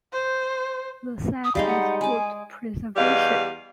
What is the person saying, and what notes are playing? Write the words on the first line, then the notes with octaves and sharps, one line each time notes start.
The site has good preservation.
C5
D#6
G3 G#3 D#4 F5
F#5
G#4 G#5 D6
E2 G3 G4 D#5 F5